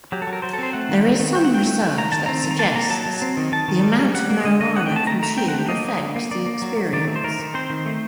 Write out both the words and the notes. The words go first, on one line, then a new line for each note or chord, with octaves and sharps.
There is some research that suggests the amount of marijuana consumed affects the experience.
F#3 G4
A4
F#3
A#4
F#3 C5
A4
C4 C5
A3 F#5
D#3
C4
D#3
C4 G5
F#5
F#3 G5
A3
A3
D#3 A#5
D#3 A5
C4 A#5
D#3
A#5
A#3 A5
A#3 A#5
F#3 A5
F#3
C4
D#3
D#3 A5
D#3
G3
G3
G3 F#5
A#3
D3 D#5
D3 D#5
C4 F#5
G5
A3
A5
D#3 A#5
A3 A#5
C4 G5
F#5
A3
G4
A#3 D#5
F#3
D3
A#3
A#3 D5
A#3
F#3
F#3
D#3 D5
A3
C5
D#3 A#4
D#3
C4 C5
D#3
A3